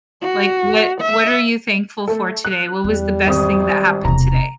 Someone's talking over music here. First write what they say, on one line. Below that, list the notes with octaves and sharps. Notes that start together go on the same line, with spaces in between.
Like, "What what are you thankful for today? What was the best thing that happened today?"
F#4
E5
A3 A4
F#6
E2 G3
G#1 C4 D#6
E1 C3 A#5